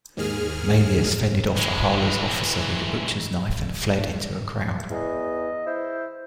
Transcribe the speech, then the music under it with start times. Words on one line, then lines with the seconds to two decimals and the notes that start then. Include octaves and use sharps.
Maelius fended off Ahala's officer with a butcher's knife and fled into a crowd.
0.17 D#2 G#2 G#4 F6
1.57 E3 G#3
4.90 E2 D#5
5.66 E4 C5